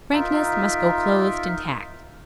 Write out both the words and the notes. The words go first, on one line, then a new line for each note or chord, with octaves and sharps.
Frankness must go clothed in tact.
D#4 F4 A#4 E5